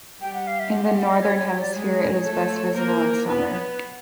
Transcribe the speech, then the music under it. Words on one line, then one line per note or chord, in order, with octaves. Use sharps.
In the northern hemisphere, it is best visible in summer.
G3 G4 G5
F#5
F5
E5
F#5
F#5
F#5
D#5
C#5
C#5
C#5
D5
G#3 G#4 C#5
A3 A4
A#3 A#4 C5
B3 B4
D5
C#5